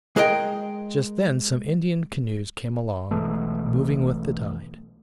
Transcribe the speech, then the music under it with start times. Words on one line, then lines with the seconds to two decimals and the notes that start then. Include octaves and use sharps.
Just then some Indian canoes came along, moving with the tide.
0.16 G#3 G#4 A#4 D#5 E5 G5
3.11 B1 E3 G#3 A3